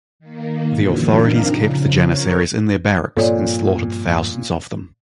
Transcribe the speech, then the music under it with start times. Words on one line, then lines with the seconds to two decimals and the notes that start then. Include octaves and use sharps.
The authorities kept the Janissaries in their barracks and slaughtered thousands of them.
0.19 D#3 A#3
0.73 F#2 A#2 D3 E3 F#3
1.17 C4 D4 D#4 A#4 F5 A#5
1.47 C#3 F3
2.07 A#4 C#5
3.17 G2 A#2 F3 C4 A4 C#5 D5